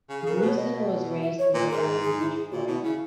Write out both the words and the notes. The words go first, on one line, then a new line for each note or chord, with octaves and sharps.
Gleason was raised in Miami Beach, Florida.
C#3
G#4
C#3 A#4
B2 B4
C#5
B2 D#5
E5
C#5
A#2 B4
G#2 A#4
G#4
G#4
E4
G#4
A#2 F#4
B2 E4
C#3 E4